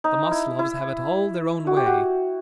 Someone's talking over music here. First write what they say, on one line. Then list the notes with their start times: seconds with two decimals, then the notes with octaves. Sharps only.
The Maslovs have it all their own way.
0.04 D#4
0.31 E4
0.59 E4
1.67 F#4
1.76 G4
1.86 F#4